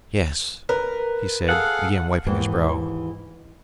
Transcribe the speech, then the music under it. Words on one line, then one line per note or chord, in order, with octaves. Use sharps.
"Yes," he said, again wiping his brow.
A#4 B4
G#4 A4 F5 F#5
D#2 G#2 E3